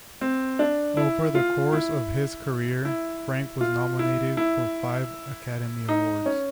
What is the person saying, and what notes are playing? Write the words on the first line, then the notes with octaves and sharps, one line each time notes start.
Over the course of his career, Frank was nominated for five Academy Awards.
C4
D4
E4
F4
E4
E4
F4
E4
E4
D#4
C#4